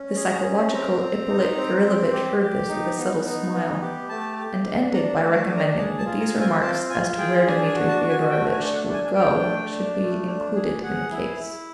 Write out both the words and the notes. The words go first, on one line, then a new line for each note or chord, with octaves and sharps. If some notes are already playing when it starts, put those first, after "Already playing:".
The psychological Ippolit Kirillovitch heard this with a subtle smile, and ended by recommending that these remarks as to where Dmitri Fyodorovitch would go should be "included in the case."
Already playing: C#4
G#4
A#5
C#4
C4 A#5
C4
D#4
C4
C4
G4
G4
D#4
B3
D#4
B3
G4
A3 A5
G4
D4
D4 A#5
A5
A3
A5
D4
A#5
G#4 A5
A5
F4
A#5
C4
G#5
F4 A5
F4 G#5
G#4 G5
D4 G#5
G#5
F#4
A5
F#4
G#5
A3 G5
G#5
D4
F#5
D4
G#5
D4 G5
A3
D4
A3
D4
G#4
G#4 F#5
E4
E4